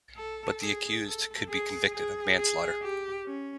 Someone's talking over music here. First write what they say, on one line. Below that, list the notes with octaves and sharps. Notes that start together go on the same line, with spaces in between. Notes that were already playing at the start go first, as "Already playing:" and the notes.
But the accused could be convicted of manslaughter.
A4
G#4
A4
G#4
G#4
G#4
G4
C#4